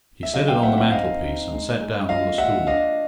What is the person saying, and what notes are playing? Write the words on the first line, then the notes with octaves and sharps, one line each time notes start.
He set it on the mantelpiece, and sat down on the stool.
E5
F#3 D#5 F5
F5 G5
C4 E5 F#5
E5 F#5
D#4 D#5 F5
D#4
G#3
G#3
F4 D#5 F5
F4 E5 F#5
D4 D#5 F5